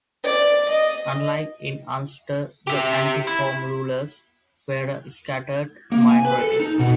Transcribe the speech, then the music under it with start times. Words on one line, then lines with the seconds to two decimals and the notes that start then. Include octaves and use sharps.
Unlike in Ulster, the anti-Home Rulers were a scattered minority.
0.24 D5
0.69 D#5
2.67 G4 E5
3.27 E4
5.92 A#3
6.11 G#5
6.25 B4
6.41 A4
6.60 D#4
6.79 B2